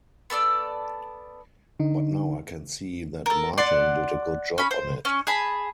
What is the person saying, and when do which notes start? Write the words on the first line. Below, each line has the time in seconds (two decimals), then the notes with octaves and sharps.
But now I can see that Martin did a good job on it ...
0.30 B3 A4 D5 E6
1.80 D3 D#4
3.26 A4 A#4
3.58 D5 F#5 C6
4.58 C#4 B5
4.71 C5
5.05 C#4
5.27 G#4 A5 B5